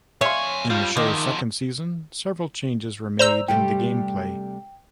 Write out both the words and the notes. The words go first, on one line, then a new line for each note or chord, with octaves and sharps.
In the show's second season, several changes were made in the gameplay.
F2 C#5 E5 F5 G#5 C6
G2 G3 F4
E2 D#3 F3 D6
C5 D5 A#5 E6 F7
C3 G3 A3 G5